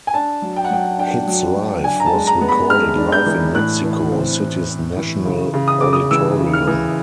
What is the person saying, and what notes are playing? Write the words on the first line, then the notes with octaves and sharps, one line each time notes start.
HitsLive was recorded live in Mexico City's National Auditorium.
G#5
D4 A5
F#3
G5
F#5
F#3 G5
D4 G5
F#3
F#3
D4 G#5
A#5
A5
G#3
A#5
B3
B5
G#3 F6
D4
G6
E3
A2 F#6
E3
C4
E3
C4
E3
C#3
C#3
D#6
C#3 D6
D#6
E3 E6
C#3
F6
E3